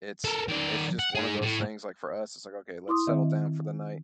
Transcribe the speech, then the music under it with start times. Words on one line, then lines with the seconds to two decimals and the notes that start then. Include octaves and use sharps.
it's i it's just one of those things, like for us, it's like, "Okay, let's settle down for the night.
0.24 A4 A#4
0.48 D#3 D5
0.99 F#5
1.15 D#4 G#4
1.43 A2
2.88 E4 C6 D6 D#6
3.07 D#3 C4 D#5 E5